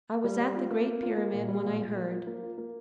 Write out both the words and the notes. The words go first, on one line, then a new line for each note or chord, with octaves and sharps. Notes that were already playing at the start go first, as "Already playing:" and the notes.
I was at the Great Pyramid when I heard.
G3
G3
F4
A#3
A#3
F4
A#3
A#2
G3
A#2
A#2
A#3
F4
A#3
F4
A#3